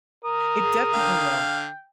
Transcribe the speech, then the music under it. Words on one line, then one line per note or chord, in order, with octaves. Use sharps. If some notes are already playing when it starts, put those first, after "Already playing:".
It definitely will.
A#4 D#6
G#4
D3 F5 G5